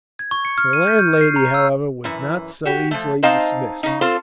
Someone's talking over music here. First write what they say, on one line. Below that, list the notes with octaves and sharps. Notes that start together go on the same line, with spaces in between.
The landlady, however, was not so easily dismissed.
G#6
C#6
C#7
F6
D#7
G6
G6
C7
A#5
E6
F#2 E3
F#4 G4
F3 A3
C4 D#4 C5 D#5 F5 A5
C#3 D#4
C4 F4 A4 C5